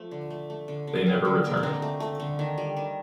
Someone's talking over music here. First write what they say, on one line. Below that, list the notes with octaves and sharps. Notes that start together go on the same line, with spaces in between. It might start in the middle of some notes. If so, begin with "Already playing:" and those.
They never returned.
Already playing: F3 A3
D3
A3
A3
D3
D3
G3
D3
A#3
D4
D3 C4 D#4
A3
A3
D3
D#3
G3
D#3